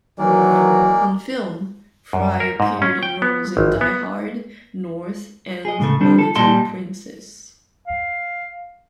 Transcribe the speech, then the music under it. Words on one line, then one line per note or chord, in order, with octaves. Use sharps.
On film, Fry appeared in roles in "Die Hard", "North", and "A Little Princess".
D#3 E3 F#3 G#3 A#3 D5
F#2
A#4
G#2
C#4
G5
B3
G#1
B3
G#4 D#5
A2 C#3 A3
D3 G3 C4 D4 A4
A4
A#2 G3 D#5 F#5 A5 C6
F5